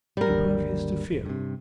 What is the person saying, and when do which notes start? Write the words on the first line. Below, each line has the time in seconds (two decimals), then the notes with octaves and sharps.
Impervious to fear!
0.17 G3 A#4
0.29 G#1 D#2 D3
1.13 F1
1.26 G2 C3